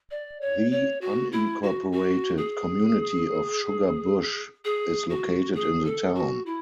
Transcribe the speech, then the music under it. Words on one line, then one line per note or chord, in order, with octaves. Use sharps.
The unincorporated community of Sugar Bush is located in the town.
D5
C#5
C#5
F#4
E4
F#4
F#4
G#4
G#4
F#4
G#4
A4
F#4
E4